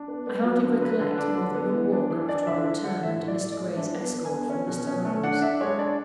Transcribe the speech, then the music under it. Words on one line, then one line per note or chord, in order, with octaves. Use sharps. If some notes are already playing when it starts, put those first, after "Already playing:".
I hardly recollect more than one walk after our return under Mr. Gray's escort from Mr. Lathom's.
Already playing: D4
B3
B3
F#3
D3
D3 B4
D3
D4
D3
B3
E3
D4
E3
D4 D5
D3 E5
D3 E5
D3 F#5
A2 E5
A2
D5
A2
D5
G#3
D4 E5
B3
B3
G#5
D3
C#4
B2
C#4
A3
D4 F#5
D4 E5
G#3 C#5
D4 D5